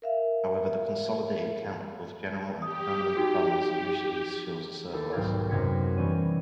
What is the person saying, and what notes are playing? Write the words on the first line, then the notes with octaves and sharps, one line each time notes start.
However, the consolidated account of both General and Permanent Funds usually shows a surplus.
A#4 E5 F5
G4 D#6
D#4 F#4 G5
D#2 E4 A4 A6
B1 G#2 G4 F5 F6 G#6
F#2 C3 G#6 A#6 B6 C#7
E3 G3 C#4 C#5 D#7